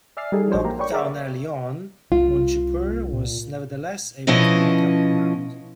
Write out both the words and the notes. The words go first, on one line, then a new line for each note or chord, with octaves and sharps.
Knocked down early on, Monshipour was nevertheless able to make up ground.
D5 E5 G#5 F6 A6 C7
G3 D#4 G#4 A4
A#1 F#3 D4 C5 C#5
A#3 G4 A#5
B4 C#5 D5 G5 C#6
G#4 A#4 C#5 D5 E5
C2 F4
A#2
B2 F3 C#4 E4 D#5